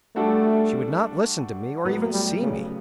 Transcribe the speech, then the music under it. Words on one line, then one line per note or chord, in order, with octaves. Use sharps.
She would not listen to me, or even see me.
G3 A3 D4 F#4 A4
A2 F#3 B3
G3
C#3